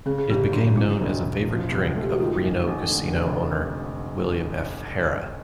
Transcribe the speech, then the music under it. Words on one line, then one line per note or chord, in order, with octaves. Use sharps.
It became known as a favorite drink of Reno casino owner William F. Harrah.
C#3 G#4
G#4
G1 G4
F#3 D4
C#3 E4
E1
E1
F3
C#2
A3
G4
F#4
D#3 F4
A1
A1
D3
F1